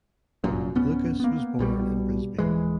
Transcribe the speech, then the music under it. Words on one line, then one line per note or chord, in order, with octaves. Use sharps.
Lucas was born in Brisbane.
F1 F#2 A#2
D1 B3 C#4
A#3 B3
B1 B2 G3
D#1 E3 G#3